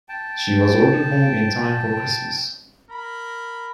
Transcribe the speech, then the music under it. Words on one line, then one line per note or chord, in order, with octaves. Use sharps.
She was ordered home in time for Christmas.
G5 A5
A#4 B5